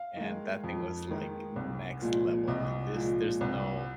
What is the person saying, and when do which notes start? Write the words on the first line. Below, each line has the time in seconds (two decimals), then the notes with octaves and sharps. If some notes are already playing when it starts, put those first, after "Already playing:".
and that thing was, like, next level. I'm like, "This there's no
Already playing: F5
0.17 D#3 G#3
0.64 F2
1.09 D#3 G#3
1.56 C2
2.01 A#2 F3 G#3
2.48 C2 D#5
2.93 A#2 F3 G#3
3.41 C2